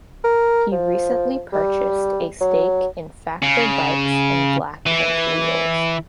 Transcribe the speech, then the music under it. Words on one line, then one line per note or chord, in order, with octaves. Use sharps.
He recently purchased a stake in Factor bikes and Black Inc wheels.
A#4
F3
G3
F#3
C#3
E3